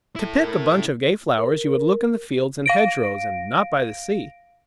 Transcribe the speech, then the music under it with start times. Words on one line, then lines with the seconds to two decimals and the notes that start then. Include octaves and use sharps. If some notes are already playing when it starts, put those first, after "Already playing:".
To pick a bunch of gay flowers you would look in the fields and hedge-rows, and not by the sea.
0.16 E4 A4
0.34 A#4
0.75 C#3
1.38 A#4
2.66 F5 A#6 D7